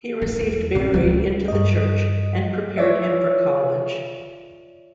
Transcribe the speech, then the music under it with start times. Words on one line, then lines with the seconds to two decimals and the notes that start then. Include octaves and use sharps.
He received Berry into the church, and prepared him for college.
0.22 D#3 B3
0.40 E2
0.75 C#3 C4
0.94 C#2 G#3
1.48 G2 D#5
2.77 F4 C#5 D5 E5